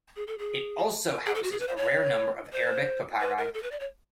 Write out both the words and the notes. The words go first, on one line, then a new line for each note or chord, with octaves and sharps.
It also houses a rare number of Arabic papyri.
G#4
A4
G#4
G#4
A4
F#4
G#4
B4
C5
C#5
C5
B4
A#4
A4
B4
D5
C#5